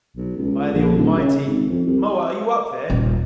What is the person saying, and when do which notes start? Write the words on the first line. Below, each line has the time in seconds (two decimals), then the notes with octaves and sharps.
By the Almighty, Moa, are you up there?
0.16 B1
0.37 C#2
0.74 A#1
0.96 D#1
1.17 C#3
1.46 G#1
1.70 F2
1.86 C2
2.90 D#1